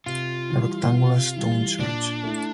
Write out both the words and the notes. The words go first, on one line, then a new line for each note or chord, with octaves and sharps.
A rectangular stone church.
C3 F4
E3 G3
C3
E3 G3
A#2 D4
A3 E4